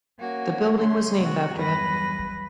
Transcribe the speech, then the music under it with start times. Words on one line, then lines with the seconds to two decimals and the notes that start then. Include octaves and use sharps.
The building was named after him.
0.18 A#3 C#4 F#4
0.78 D3 C#4 C6
1.16 C3 F#4
1.55 E2 G2 F#3 B4 A#6